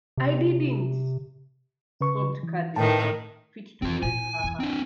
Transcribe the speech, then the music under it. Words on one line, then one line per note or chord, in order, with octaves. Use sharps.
'I didn’t!’ sobbed Cathy, fit to break her heart.
C3
C#3 B4 C#6
E3
A2 D#3 B4 G5 A5
F2 E3 C4 F4
A#2 E4 G#5
E2
C4 D4